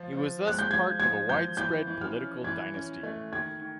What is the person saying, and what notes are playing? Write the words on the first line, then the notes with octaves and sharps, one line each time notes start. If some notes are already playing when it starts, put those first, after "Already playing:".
He was thus part of a widespread political dynasty.
Already playing: F3
F3
G#3
F#6
G6
F3 G#6
F3 G#6
F3 G6
E3 G6
E3
F6
C#4
E3 G#6
C#4
A3
D#3 G#6
D#3